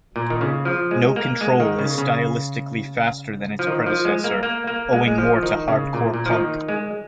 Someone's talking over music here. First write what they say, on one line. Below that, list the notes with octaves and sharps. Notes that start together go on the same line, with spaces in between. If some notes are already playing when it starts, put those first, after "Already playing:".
"No Control" is stylistically faster than its predecessor, owing more to hardcore punk.
A#2
D#3
C#3
F3
G#3
A#3
G#3
D#3
C#3
C#3
F3
D#3
F3
G#3
A#3
A#3
A#3
G#3
G#3
F3
D#3
C#3
A#2
A#2
F3
D#3
G#3